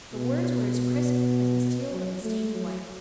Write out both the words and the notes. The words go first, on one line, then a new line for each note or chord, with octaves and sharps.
The words were as crisp as the steel of the stained blade.
B2
F#3
A3
F#3